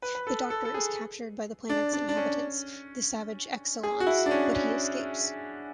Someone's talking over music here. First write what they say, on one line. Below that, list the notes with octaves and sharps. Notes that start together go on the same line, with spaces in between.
The Doctor is captured by the planet's inhabitants, the savage Exxilons, but he escapes.
B4
B4
A4
A4
A4
G#4
D4
D4
D4
C#4
G#4
F#4
E4
D4
C#4
C#4